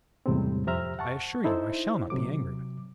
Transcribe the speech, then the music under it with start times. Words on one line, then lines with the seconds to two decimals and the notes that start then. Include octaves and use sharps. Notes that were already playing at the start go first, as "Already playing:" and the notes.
"I assure you I shall not be angry with you."
0.26 E2 A2 C3 G3 G#3 C4
0.67 F2 G4 C5 E5 A#5 F6
0.99 F#5 A5 C#6
1.44 D#4 E4 A4 C5
2.10 C3 F#3 D6